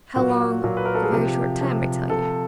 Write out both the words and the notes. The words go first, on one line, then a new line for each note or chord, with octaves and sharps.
'How long--a very short time, I tell you.
A#2 F#3 F#4
A#2 F#3
B4
A#4
A4
G#4
C3 F3 G4
C3 F3
C3 F3 A4